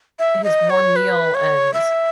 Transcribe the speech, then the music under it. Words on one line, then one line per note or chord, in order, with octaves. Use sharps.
his warm meal and
E5
D#5
C#5
B4
C#5
E5